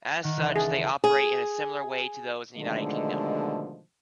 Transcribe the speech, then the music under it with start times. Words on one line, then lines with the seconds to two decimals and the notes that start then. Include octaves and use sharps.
As such, they operate in a similar way to those in the United Kingdom.
0.23 D#3 F#5
0.37 C#2 E3 F#6
0.56 G#4 A4
1.04 G#4
2.57 B2 D3 D#3 F3 G#3 A3